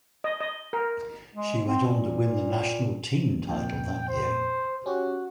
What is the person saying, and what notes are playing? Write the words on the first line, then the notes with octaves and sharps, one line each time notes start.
She went on to win the National Teen title that year.
D#5
D#5
A#4
G#3
C4
A#2
F2 A#2 G5
C5
C#4 F#4 G4